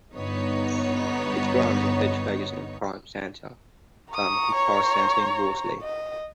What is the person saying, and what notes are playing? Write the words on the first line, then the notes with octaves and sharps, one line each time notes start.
Its brands include Ferguson, Pipe Centre, Plumb and Parts Centre and Wolseley.
G1 G2 B3 D#4 C#5
A#5 C#6 D#6
C#5
D#5